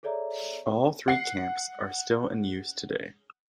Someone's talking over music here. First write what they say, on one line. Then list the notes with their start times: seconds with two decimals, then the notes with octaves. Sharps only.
All three camps are still in use today.
0.03 G#4 A4 C#5 D5 E5 A#5
1.08 F#5 C7